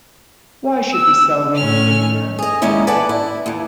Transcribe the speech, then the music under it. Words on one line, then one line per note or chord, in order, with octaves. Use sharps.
Why should we sell Rio Ferdinand?
E6
A2 C#4 F6
G#4 D#5
D#3 G3 G#3 A#3 C#4 E4
B4 D5 F#5 G#5 A5
E4
D#2 E3